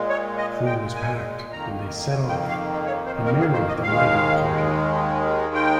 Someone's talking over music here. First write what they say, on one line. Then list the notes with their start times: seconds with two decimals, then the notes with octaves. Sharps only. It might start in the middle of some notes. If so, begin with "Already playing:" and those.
Food was packed, and they set off, a merry, delighted party.
Already playing: A#2 G#3
0.09 C#5
0.37 D#5
0.66 G5
0.95 G#5
1.52 F2 D#3 A#3 A#5
2.09 G#5
2.29 G5
2.49 F5
2.86 C#5
3.06 C5
3.26 A#4
3.40 G#4
3.53 C5
3.68 D#5
3.82 D#2 D#3 G#3 F5
5.55 G5